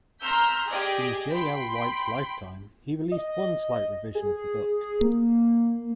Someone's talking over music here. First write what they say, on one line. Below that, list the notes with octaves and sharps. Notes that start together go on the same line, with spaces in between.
In J. L. White's lifetime, he released one slight revision of the book.
A#5 C6 E6 F6 G6 B6
G4 G#4 D5 D#5
G5 B5 C6
D#5
G#4
A#3